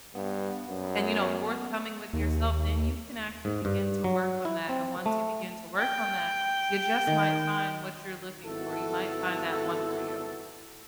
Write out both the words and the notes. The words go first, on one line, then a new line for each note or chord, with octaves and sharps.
and, you know, forthcoming with yourself, then you can actually begin to work on that, and once you begin to work on that, you just might find what you're looking for. You might find that one for you.
G2 B3
F#2
D#2
G#2
G2
F#3
E4
C4
A3
G5
D#3
G#1 B3 E4 F#4 A4